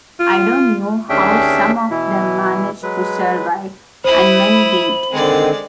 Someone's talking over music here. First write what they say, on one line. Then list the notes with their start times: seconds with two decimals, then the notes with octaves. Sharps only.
I don't know how some of them managed to survive; and many didn't.
0.20 F4
1.09 D#2 C#4 D4 G#4 E5 G5
1.90 B2 E3 E4
2.83 F#3 G#3 B4
4.04 E4 C5 B5 D#6
5.11 D3 D#3 G#3 C4 D5